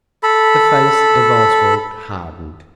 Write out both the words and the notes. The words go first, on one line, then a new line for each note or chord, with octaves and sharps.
The face of Oswald hardened.
A4 B5